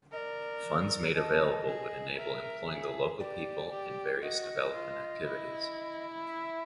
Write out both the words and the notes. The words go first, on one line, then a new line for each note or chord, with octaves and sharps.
Funds made available would enable employing the local people in various development activities.
A#4 D5 D#5
A4 D#5
G#4
A#4 E5
G#4
G4 D5
G4
F#4 D#5
F4
E4
E5